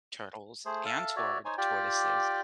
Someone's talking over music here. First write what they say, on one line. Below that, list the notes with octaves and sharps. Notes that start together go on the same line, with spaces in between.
turtles and tort tortoises,
A3 G#4 C5
A4 E5 F5 A5
F#4 C#5 D5 E5
D#4 C5 C#5 G#5
F4 G4 D5 G5